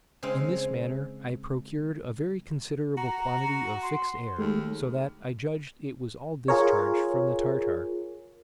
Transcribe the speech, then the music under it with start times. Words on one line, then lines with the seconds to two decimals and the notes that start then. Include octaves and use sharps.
In this manner I procured a very considerable quantity of fixed air, so that I judged it was all discharged from the tartar.
0.23 C#3 G#3 C4 F5
2.98 F#4 A#5
3.82 C6
4.38 D#2 G#3 A3
6.48 F4 G#4 A#4 C#5